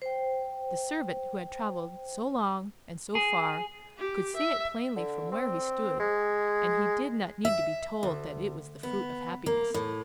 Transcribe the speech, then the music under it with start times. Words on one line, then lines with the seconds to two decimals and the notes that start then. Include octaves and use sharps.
The servant, who had travelled so long and so far, could see it plainly from where he stood, and he did not need to be told that it was the fruit of happiness.
0.02 C5 G5
3.15 G#4
3.97 G4
4.37 E5
4.96 D3
5.32 C4
6.00 G#3
7.45 E5
8.03 D2
8.83 B3
9.46 A#3
9.74 A2